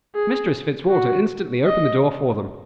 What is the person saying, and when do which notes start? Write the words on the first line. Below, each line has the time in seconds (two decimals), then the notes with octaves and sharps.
Mistress Fitzwalter instantly opened the door for them.
0.15 G#4
0.90 F#4
1.66 D#5